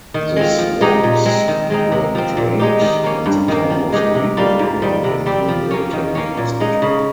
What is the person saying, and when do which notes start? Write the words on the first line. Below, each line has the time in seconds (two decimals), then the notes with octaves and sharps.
The swamps were drained and the town was rebuilt around a new military hospital.
0.14 D#3
0.36 G#3 C4 F4
0.59 F3
0.81 G#3 D#4 G4
1.04 A#2
1.25 G#3 C4
1.48 D#3
1.70 G#3 C4 D#4
1.92 C3
2.15 F3 C4
2.37 A#2
2.59 G#3 D#4 G4
2.81 D#3
3.04 A#3 C#4
3.26 G2
3.48 D#3 A#3
3.70 F3
3.93 G#3 D#4 G4
4.15 C3
4.37 G3 A#3 F4
4.59 G#2
4.82 D#3 G3
5.04 C3
5.26 G3 C4 G4
5.49 F3
5.71 A#3 C#4
5.93 D#3
6.15 A#3 C#4
6.37 A#2
6.60 G#3 D#4
6.82 C#3